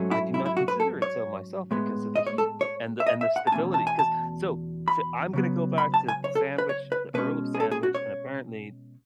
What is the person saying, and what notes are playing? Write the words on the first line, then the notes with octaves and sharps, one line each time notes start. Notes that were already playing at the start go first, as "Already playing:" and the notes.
I do not consider it so, myself because of the heat and the and the stability, 'cause so so I'm gonna go back to sandwich The Earl of Sandwich, and apparently
Already playing: G#2 F#3 A3 C#4
E4
E4
E4
F#4
B4
A4
C#5
A2 G#3 B3
D#5
C#5
A4
C#5
E5
D#5
E5
F#5
A5
E2 B2 A3 C#4 G#5
A5
G#5
A5
B5
C#3 F#3 B3
B5
A5
G#5
C#5
A4
B4
C#5
B4
B2 G#3 C#4 B4
G#4
A4
G#4
F#4
C#5